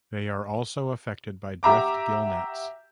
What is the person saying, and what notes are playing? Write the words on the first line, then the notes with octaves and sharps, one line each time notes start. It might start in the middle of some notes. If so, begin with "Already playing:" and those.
They are also affected by drift gillnets.
F#4 G4 E5 A#5 D6